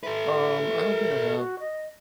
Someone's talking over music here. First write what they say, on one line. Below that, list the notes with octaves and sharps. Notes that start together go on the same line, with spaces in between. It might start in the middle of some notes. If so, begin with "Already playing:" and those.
Um, I don't think I have.
A4 B4 E5
A#4
F#4
D#5